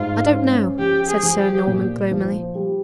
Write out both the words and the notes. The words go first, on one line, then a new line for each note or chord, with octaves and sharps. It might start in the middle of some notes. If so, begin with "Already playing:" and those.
"I don't know," said Sir Norman, gloomily.
Already playing: G#2 F4
C#4
F3 G4
G#4
F3
G4
A#2
F3
G3